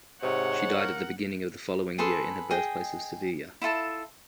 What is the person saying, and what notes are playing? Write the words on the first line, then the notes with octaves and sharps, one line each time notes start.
She died at the beginning of the following year in her birthplace of Sevilla.
G#2 C3 C#5 F#5
A#4
G#4 A4 B4 C6
G#4 D#5 G5
E4 F4 A4 A5